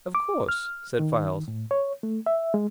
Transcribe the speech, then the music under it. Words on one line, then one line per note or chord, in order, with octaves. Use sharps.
"Of course," said Files.
D6
F6
D#3
A2
C#5
A3
E5
G#3